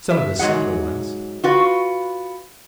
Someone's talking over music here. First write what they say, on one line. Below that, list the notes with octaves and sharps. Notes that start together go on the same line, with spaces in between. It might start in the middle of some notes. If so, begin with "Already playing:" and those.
"Some of the simpler ones."
E5
G#2 F#3 G#4 F#5
F4 F#4 B4